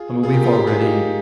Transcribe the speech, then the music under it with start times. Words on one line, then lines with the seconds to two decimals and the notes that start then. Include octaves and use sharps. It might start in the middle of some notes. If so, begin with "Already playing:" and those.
I mean, we've already
Already playing: F4 G#4
0.23 F4 G#4
0.33 G4 A#4
0.44 F4 G#4
0.52 G4 A#4
0.67 F4 G#4
0.81 D#4 G4